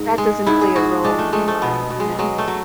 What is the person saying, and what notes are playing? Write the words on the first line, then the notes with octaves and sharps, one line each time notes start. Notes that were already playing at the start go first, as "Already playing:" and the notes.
that doesn't play a role in your life, you know?
Already playing: G#2
G#3
G#2 E4
G#4
G#2 F#4
G#3 D4
A3
G#3 A3
A3
B2 B3
B2
G#3
F#3 G#3
A3
F#3